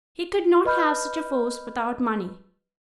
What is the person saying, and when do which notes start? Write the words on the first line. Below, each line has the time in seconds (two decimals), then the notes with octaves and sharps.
He could not have such a force without money.
0.65 B4 D#5 B5 F6 G6